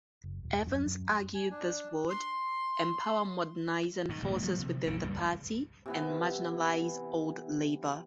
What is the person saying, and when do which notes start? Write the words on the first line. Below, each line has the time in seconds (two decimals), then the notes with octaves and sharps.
Evans argued this would "empower modernising forces within the party and marginalise Old Labour".
0.24 F#1
0.43 D#1
0.66 F#2
0.86 F#2
1.35 G#5
1.51 D4
2.10 C6
4.09 G#2 D#3
4.22 A#1 G#2 D#3 A#3
4.43 F3 G3 A3
4.59 C3
4.86 A#1 F2 A#2 C#3
5.03 C#2 G2 G3
5.86 C3 E3 B3